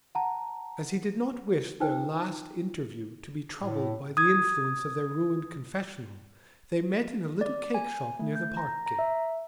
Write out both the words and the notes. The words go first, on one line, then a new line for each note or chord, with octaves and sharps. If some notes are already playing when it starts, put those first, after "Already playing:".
As he did not wish their last interview to be troubled by the influence of their ruined confessional they met in a little cakeshop near the Parkgate.
F#5 A5 A#5
D#4 F4 B4 C5 G5
A2
D#6 G#6
D5
G#5
A3
G6
A#5
A#5
E5